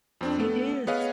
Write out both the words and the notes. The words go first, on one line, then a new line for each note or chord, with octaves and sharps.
It is.
F2 C4 D4
A3 B3 A4
B3 G#4 B4 C#5 D#5 F5